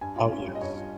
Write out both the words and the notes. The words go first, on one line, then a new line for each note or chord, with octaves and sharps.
Oh, yes.
G2 G#5
F4
C#4
G3
D#5
G2 C#5
F4